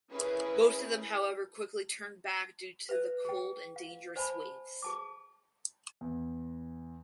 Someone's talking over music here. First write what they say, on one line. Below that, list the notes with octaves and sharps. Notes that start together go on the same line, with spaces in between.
Most of them however quickly turned back due to the cold and dangerous waves.
C#4 E4 G#4 A#4 B4
B4 E5
G#4 G5
F5
C5 D5 G#5 A5 B5
G#4 A5 D6
E2